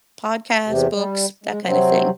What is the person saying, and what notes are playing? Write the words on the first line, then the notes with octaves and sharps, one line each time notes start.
podcast, books, that kinda thing.
E2 C3
G3
G#3
C3 F#3 C4